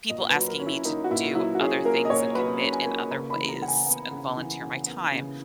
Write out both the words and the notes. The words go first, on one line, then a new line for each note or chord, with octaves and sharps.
people asking me to do other things, and commit in other ways, and volunteer my time.
A#2 D#5
B4
F#3
A#4
C#4
E4
A#3 D#4
F#4
A#2 E4
F#3 E4
F#4
C#4 G#4
A#3 A#4
D#5
A#2 C#5
F#3 B4
C#4
G#5
A#3
C#3 A#5
B5
E3
A#5
C#3 F#5
G#5
B3
C#3
E3
C#3
B3
C#3